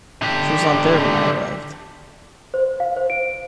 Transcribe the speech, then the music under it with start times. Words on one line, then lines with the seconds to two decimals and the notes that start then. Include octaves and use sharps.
She was not there when I arrived.
0.22 D3 G4
2.54 C5
2.80 F5
2.97 C5
3.10 D7